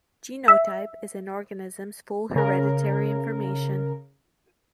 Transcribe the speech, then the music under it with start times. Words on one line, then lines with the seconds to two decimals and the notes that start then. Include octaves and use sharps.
"Genotype" is an organism's full hereditary information.
0.48 E5
2.36 C#3 A#4